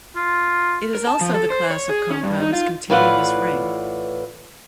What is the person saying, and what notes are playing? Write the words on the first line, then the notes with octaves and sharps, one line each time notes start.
It is also the class of compounds containing this ring.
F4
A#4
A5
F3
A4
C5
C#5
G#4
C#4
G2
D#4
F4
A2 E3 F4 B4 D5 F#5